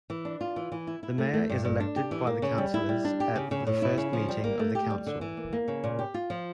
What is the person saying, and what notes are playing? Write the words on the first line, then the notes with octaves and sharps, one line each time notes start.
The mayor is elected by the councillors at the first meeting of the Council.
E3
D4
F4
E3
E3
E4
E4
A3
A3
G2
G2
D4
G4
E3
A#3
C#3
G3
E4
G3
D4
G4
C#3
C#3
A2
E4
C#3
F3
G3
A#3
A3
G4
G3
D3
E3
A#3
A#3
C#3
A#2
G4
F4
F3